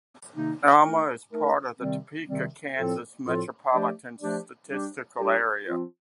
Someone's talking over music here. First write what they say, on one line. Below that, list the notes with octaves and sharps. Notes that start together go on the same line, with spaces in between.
Alma is part of the Topeka, Kansas Metropolitan Statistical Area.
C3 D#3 A#3 D#4
A3 D#4 A#4
A3 D#4 A#4
C3 D#3 G3 C4
C3 D#3 G3 C4
A2 F3 C4 F4 A4
A2 F3 C4 F4 A4
F3 A3 D4 G4 D5
F3 A3 D4 G4 D5
G3 D4 G4
G3 D4 G4
F3 C4 F4